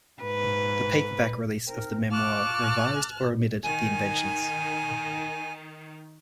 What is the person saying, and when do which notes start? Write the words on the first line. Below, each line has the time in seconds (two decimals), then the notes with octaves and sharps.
The paperback release of the memoir revised or omitted the inventions.
0.22 G#2 B4
1.67 C4 D#4 A#4
2.11 F4 A5 C#6 D6 F6 F#6
3.64 D#3 G#5